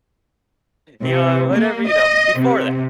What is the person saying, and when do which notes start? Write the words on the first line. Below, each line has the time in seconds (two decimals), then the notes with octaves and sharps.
you know, whatever you know, before that,
1.04 C3
1.53 A#3
1.87 D#5
2.37 C3